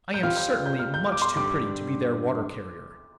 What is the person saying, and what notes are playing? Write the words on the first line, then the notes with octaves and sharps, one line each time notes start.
I am certainly much too pretty to be their water carrier!'
G6
G3 C4 F4 F6
G6
F6
G6
F6
G6
D6
C6
G2 D3 G3 D6